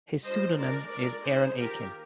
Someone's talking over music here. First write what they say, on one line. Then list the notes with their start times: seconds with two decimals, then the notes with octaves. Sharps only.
His pseudonym is Aaron Aachen.
0.23 G3 D4 F4 C5 D#5
0.57 G#3 D4 F4 A#4 D5
0.90 G#3 D4 F4 A#4 D5
1.23 G#3 D#4 G#4 C5
1.56 D#3 A#3 F4 G4 A#4